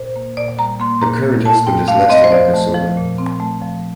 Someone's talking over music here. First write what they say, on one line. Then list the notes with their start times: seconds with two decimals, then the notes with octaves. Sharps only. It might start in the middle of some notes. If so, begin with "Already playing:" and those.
Her current husband is Lester Nakasone.
Already playing: A#2 C5
0.16 A#3
0.37 A#2 D5
0.58 G3 A#5
0.80 A#3 C6
1.01 A#2 A#5
1.23 A#3
1.45 A#2 A5
1.66 C4 G5
1.88 A3 F5
2.09 C4 D#5
2.24 C5
2.31 F3 D5
2.54 A3
2.74 F3
2.97 A#2
3.18 C4
3.40 A3
3.62 F3